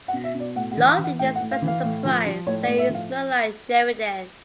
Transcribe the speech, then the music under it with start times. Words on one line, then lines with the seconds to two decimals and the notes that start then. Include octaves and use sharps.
Lochley expresses surprise, saying it's not like Sheridan.
0.08 F#5
0.14 B2
0.24 E5
0.35 B2 D5
0.56 A2 F#5
0.71 F#5
0.77 E3
0.88 F5
0.98 E3
1.04 F#5
1.19 A2 G5
1.35 F#5
1.40 A2
1.51 F5
1.62 E3
1.68 F5
1.83 A2
2.05 F3
2.26 F3
2.47 A2 C#5
2.62 D5
2.67 A2
2.78 E5
2.89 F3
2.94 F5